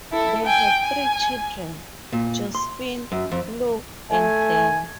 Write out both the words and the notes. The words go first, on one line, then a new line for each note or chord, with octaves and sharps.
They had three children: Josephine, Lou and Dan.
E4 A4
G5 G#5
G#5
A#2
C6
F#2
F2
A3 G#5